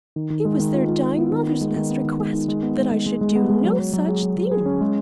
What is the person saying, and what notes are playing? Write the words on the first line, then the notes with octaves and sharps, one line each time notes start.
"It was their dying mother's last request that I should do no such thing."
D#3
D#3
G#3
D#3
F4
F4
F4
B3
D#3
B3
G#3
D#3
B3
D#3
G#3
D#3
G#3
B3
G#3
G#3
G#3
G#3
B3
G#3
F#3
F#3
F#3
G#4
F#3
F#3
G#4
C#4
G#3